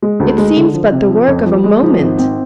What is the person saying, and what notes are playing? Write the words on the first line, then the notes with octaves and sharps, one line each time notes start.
It seems but the work of a moment.
G#3
D2
G#3
D3
F3
C3
F3
F2
F3
G#3
F3
G#1
C4